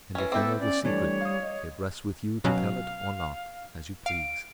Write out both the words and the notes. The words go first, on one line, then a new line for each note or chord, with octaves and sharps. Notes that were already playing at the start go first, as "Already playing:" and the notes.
And if you know the secret, it rests with you to tell it or not, as you please.
E3 C#4
B3 C4 E4 A4 B4 D6 G6
C#4 D5
E3 G3 A3 D4 C#5
F5 D#6
D#5
B2 F#3 C#4 F5
F5 D7